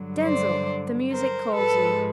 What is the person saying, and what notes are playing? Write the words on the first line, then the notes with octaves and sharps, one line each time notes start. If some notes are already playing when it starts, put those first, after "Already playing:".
Denzil, the music calls you.
Already playing: G2 D3 F#3
C5 D5
A#4 C5
G#2 F3 G#3 A4 B4